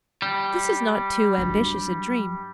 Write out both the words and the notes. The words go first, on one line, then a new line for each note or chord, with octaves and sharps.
This is not too ambitious a dream.
G3
G2 F#3